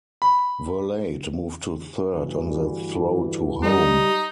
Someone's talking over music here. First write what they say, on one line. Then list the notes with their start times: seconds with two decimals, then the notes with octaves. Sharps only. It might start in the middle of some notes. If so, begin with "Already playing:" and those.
Verlade moved to third on the throw to home.
0.22 B5
2.15 D2 G2 E3
3.62 G3 D#4